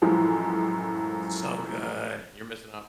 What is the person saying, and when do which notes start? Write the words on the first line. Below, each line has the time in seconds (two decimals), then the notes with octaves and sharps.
It's so good. You're missing out.
0.02 F#2 A2 E3 F3 G#3